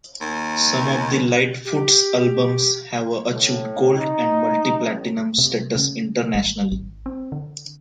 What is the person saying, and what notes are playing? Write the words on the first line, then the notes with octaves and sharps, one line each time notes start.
Some of Lightfoot's albums have achieved gold and multi-platinum status internationally.
D#2
G4
A2
D#4
A1
C3
C#3
G#1
G#1
C4
D3